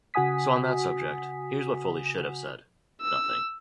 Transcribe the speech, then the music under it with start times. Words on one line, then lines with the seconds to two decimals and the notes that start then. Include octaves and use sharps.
So on that subject here's what Foley should have said: nothing.
0.14 C#3 F#4 F#5 G#5 D#6 B6
3.02 E6